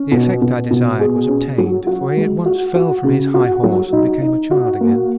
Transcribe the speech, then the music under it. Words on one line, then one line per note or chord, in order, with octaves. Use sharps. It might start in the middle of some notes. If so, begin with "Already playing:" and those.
The effect I desired was obtained, for he at once fell from his high-horse and became a child again.
Already playing: C#4
B2
B2
B2
G#4
C#4
F#3
F#4
G#3
F#4
F#4
C#3
F#4
F#3
D#4
D#4
F#4
A#3